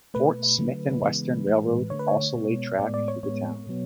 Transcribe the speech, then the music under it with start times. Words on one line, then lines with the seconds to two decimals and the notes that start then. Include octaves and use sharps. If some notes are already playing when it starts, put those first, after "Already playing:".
Fort Smith and Western Railroad also laid track through the town.
0.14 B2 A3 B4
0.59 D3 F#3 A3
1.02 C#3 E3 G#3 B3
1.47 A2 E3 G#3
1.90 D3 A3 C#5
1.99 B4
2.08 C#5
2.35 B2 G#3 B3
2.79 A2 G#3 B3 D5
2.94 D5
3.08 C#5
3.23 A2 G#3 B3 C#5
3.67 B2 F#3 B3